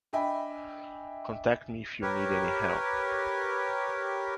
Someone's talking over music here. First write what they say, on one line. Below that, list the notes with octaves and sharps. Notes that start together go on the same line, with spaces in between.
Contact me if you need any help.
D4 D#5 E5 G5 G#5 B5
G4 A#4 B4 C#5